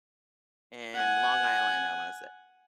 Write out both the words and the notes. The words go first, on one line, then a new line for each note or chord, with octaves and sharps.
in Long Island, I wanna say
F#5 G#5